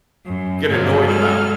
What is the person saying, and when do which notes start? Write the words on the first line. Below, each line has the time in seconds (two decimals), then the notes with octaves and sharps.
get annoyed about,
0.25 F#2
0.68 G2 B2 D3 F3 F#3
1.04 F#3 G#3 A4 F6